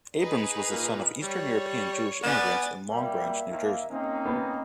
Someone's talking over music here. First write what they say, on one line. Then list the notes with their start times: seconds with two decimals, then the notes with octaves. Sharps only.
Abrams was the son of Eastern European Jewish immigrants in Long Branch, New Jersey.
0.19 D#4 G#4 B4
0.71 A#2
1.23 G3 C#5
2.23 B3 D5 G#5 A6
2.89 B2 G3 A#3 E5
3.50 D#2 A#3
3.90 A#3 C4 C#4 D#4
4.26 B3